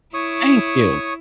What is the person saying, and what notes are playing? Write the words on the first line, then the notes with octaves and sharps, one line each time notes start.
Thank you.
E4 C#5 C#6 D#6